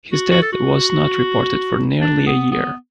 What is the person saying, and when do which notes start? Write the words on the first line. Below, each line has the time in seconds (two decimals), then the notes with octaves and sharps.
His death was not reported for nearly a year.
0.12 F#4
0.31 F#4
0.42 A4
0.52 F#4
2.01 D4
2.26 B3
2.51 B3